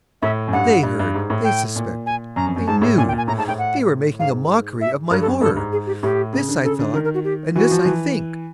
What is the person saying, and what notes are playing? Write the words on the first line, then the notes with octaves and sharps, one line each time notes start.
They heard!--they suspected!--they knew!--they were making a mockery of my horror!-this I thought, and this I think.
A2 E5
F#2
G2 F#5
G2
G2
G#2
A2
G5
A#2
G#5
F#2 A#5
F2
F#2
G#2 A5
A2
A#2 G#5
G5
A#2
G#5
A2 A#5
G#2 A5
A2 G5
F#5
G#2 F5
E5
G2 A#4
A4
F#2
G2 A4
G#2
G#4
G4
A2 G4
C#3
D3
C#3 A4
D3
D#3 A#4
A#4
F#4
G4
E3 F#4
F3
E3